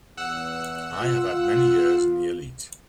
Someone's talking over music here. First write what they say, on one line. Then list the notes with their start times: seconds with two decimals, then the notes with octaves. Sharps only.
I have had many years in the elite.
0.17 E2 F#5 E6 F#6
1.00 F4